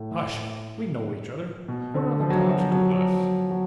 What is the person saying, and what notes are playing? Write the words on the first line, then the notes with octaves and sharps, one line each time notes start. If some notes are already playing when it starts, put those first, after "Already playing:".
'Hush! we know each other--what are the gods to us?'
Already playing: A2
A2
B2
D3
F3
F#3
F3
F#3
F3
F#3
F3
F#3
F3
F#3